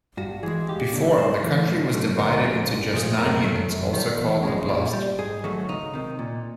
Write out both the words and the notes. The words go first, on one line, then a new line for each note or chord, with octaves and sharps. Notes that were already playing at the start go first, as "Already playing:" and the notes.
Before, the country was divided into just nine units, also called "oblast".
G2 F#4
E3 G#3 G#4
D#2 G4
D3 F#3 A3
G2 C5
E3 A3
A2
F#3 A3
D2 A#4
C#3 F3 G#3
C2
A#2 F3 G#3
F#2 A#4
D#3 F#3 A3
F#2
D#3 G3
E2
C#3 F3 G#3
A#2
G3
G#2 G#4
D#3 F#3 A3 F#4
C#2 D#4
C3 D#3
A#2